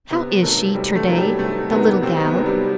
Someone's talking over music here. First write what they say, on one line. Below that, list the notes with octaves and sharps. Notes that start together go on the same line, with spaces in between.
"How is she, ter-day--the little gal?"
C3 B3
D#3 F#3 A3
C3 G3
A3
D#3 F#3
G3
C3 A3
D#3 F#3 B3
C3 C4
B3
D#3 F#3
G3